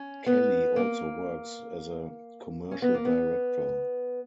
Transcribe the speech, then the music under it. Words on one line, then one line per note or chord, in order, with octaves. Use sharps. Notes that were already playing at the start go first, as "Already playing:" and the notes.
Kelly also works as a commercial director.
Already playing: C#4
B3
A#3
C#4
B3
A#3
B3